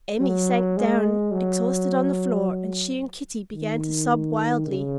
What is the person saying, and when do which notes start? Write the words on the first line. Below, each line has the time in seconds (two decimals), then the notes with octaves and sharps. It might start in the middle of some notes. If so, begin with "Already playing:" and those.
Emmy sank down exhausted on the floor, and she and Kitty began to sob wildly.
0.21 F#3
0.77 G#3
1.32 F#3
3.55 D#3
4.67 C#3